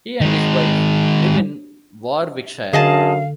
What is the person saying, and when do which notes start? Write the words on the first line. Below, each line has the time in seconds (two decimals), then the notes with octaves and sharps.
He and his wife live in Warwickshire.
0.21 D#3 G#3
2.73 F#2 D3 G#4 D#5 F5 A5